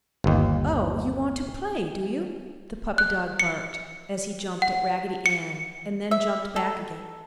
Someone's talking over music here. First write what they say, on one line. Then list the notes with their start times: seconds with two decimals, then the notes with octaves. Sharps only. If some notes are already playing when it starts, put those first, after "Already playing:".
"Oh, you want to play, do you?" the puppy dog barked, as he jumped at Raggedy Ann and then jumped back again.
0.24 G1 D#2
2.98 F#6
3.39 C#7
4.62 F#5
5.26 C#7
6.11 E5
6.56 A4